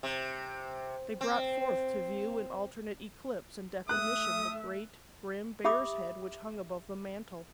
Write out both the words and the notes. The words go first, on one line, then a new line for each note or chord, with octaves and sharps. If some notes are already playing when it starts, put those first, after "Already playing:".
They brought forth to view in alternate eclipse and definition the great, grim bear's head which hung above the mantel.
C3
C4
A3 E5 D#6 F#6
G4 E5 B5 D6 D#6